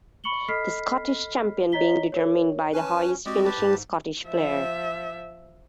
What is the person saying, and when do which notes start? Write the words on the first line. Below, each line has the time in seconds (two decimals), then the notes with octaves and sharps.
The Scottish Champion being determined by the highest finishing Scottish player.
0.24 B5 C#6 C#7 F#7 G7
0.48 A4 D#5 B5 F6 B6 C7
1.72 C#5 D#5 A#5 B6 G7
2.12 A#4 C#5
2.73 C#4 B4 G#5 A5
3.26 G#3 C4 F#4 G4 D5 D#5
3.45 G4 B4 A5
3.58 G#2
4.26 F3 E5